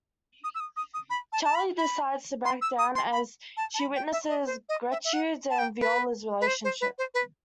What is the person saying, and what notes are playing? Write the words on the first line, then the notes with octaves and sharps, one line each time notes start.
Charlie decides to back-down as she witnesses Gertrude and Viola's relationship.
D#6
E6
D#6
D#6
D#6
B5
A5
A5
B5
B5
C6
E6
D#6
C6
B5
A5
A5
B5
G5
E5
D#5
C5
D#5
E5
E5
F#5
A5
G5
B4
B4
C5
C5
B4
C5
B4